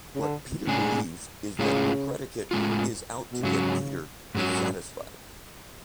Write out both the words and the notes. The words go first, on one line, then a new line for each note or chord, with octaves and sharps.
What Peter believes is that the predicate 'is out to get Peter' is satisfied.
C#3
D3
A2 C#3 G#3 D4 G#4
A2 C#3 G#3 C#4 F4
A2 G#3 C#4 F4
B2
G#2 C#3 F#3 C#4
G#2 F#3 C#4